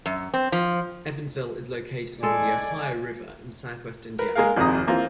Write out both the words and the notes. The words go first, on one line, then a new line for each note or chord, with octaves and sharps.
Evansville is located along the Ohio River in southwest Indiana.
F#2
C4
F3
G#3 A4 D5 G#5
A#4 B4
G#3 A#3 G#4 A#4 F5
G#1 F2 C3 G#4 A#5 D#6
E3 A#3 C4 F4